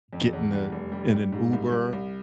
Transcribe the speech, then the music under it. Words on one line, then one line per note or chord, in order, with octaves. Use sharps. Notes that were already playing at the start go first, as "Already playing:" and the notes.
get in the in an Uber,
F2
E2
G3
F1
G3
G3
G#2
C2
C2
C2